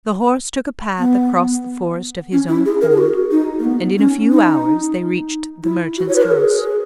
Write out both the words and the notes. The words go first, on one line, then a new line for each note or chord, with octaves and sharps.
The horse took a path across the forest of his own accord, and in a few hours they reached the merchant's house.
B3
C#4
E4
G#4
A#4
G#4
F#4
D#4
A#3
B3
C#4
D#4
E4
F#4
C#5
B4
A#4
G#4